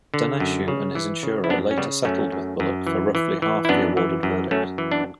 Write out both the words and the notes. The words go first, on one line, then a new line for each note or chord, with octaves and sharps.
Daneshjou and his insurer later settled with Bullock for roughly half the awarded verdict.
D3
F#2
C#3
E3
C#3
E4
F#2 B3 D4
C#4
C#3 G3 B3
F#2 A3 C#4
F#2
F#2
E3
E3
E3
E4
F#2 B3 D4
E3
F#2
F#2 A3 C#4
E3
B3 D4